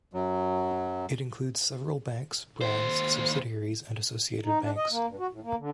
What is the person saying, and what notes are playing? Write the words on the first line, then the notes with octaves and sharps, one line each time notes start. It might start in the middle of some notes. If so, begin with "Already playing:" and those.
It includes several banks, brands, subsidiaries and associated banks.
F#2 F#3
D#2 C5
D#4
D4
D#5
A#3
G2
F#4
A2
A#3
D3